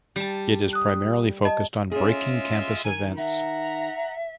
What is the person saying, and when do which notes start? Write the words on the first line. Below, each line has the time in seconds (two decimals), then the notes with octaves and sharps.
It is primarily focused on breaking campus events.
0.16 G3 A5
0.73 D#6 F#6
1.45 D#5 A5
1.91 G#3 C#4 F4 G#4 E5
2.85 D#3 G#5
3.17 E5 F#5 A#5